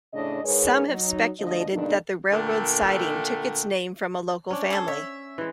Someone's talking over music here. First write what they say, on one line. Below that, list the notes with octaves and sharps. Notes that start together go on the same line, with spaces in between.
Some have speculated that the railroad siding took its name from a local family.
A2 C#3 D4 D#5
G#2 G#4 A#4 B4 C#5
F#3 D#4
D2 F3 D4 D#5
G2 B2 D3 A#3 D4 D#4
A#2 D3 A3 A#4 G5
C#4 D4
G#4 A4
C#5 E5
E3 G#3